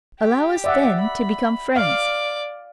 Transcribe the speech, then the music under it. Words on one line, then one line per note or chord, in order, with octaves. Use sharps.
Allow us, then, to become friends.
G4
D5 E5 F#5
B5
D5 F5 D6